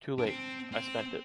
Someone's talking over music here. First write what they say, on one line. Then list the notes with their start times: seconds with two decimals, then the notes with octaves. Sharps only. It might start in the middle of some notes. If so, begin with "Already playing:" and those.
Too late. I spent it.
0.18 D4
0.26 C4
0.72 C4